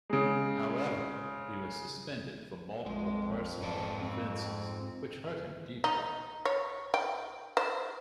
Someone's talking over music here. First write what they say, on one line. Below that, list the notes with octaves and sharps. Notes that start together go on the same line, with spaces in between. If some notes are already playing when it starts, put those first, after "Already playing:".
However, he was suspended for multiple personal offenses, which hurt him deeply.
C#3 G#3
A#1 F2 G#3
D1 G#2 D5 A5
C4
D#4
C#5
G5
C5